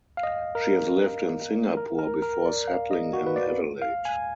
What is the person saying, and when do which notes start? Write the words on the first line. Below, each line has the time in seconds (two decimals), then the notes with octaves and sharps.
She has lived in Singapore before settling in Adelaide.
0.17 F5
0.23 D#5
0.55 A#4
1.77 A#4
1.99 A#4
2.22 A#4
2.46 D5
2.68 F5
2.91 D#5
3.13 F#4
3.27 B4
3.36 D5
3.82 F5
4.05 G#5